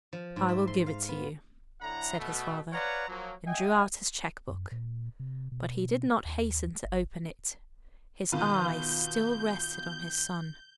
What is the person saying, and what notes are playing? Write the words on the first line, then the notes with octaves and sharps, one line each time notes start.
"I will give it to you," said his father, and drew out his check-book. But he did not hasten to open it; his eyes still rested on his son.
F3
G#2
E5
C6
F5
B3
A2 D3 E4 F#5 A#5
B2 A3
B4 C#5 D5 F5 F#5 A#5
F3 F#3 A#3
D#5 E5 G5 G#5
F#2
A#2
C3
B2
D#2
G1
B2 D#3 F4 B4 G6